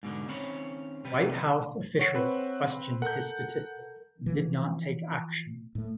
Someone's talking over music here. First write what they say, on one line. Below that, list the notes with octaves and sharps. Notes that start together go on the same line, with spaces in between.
White House officials questioned his statistics and did not take action.
G#2 B2 D3
D#3 C4 C#4 C#5 B5
C3 G3 B4
C#5 F#5 C#6
C4 B4
A4 A#4 F#5 G6
E3 F3
A2 A3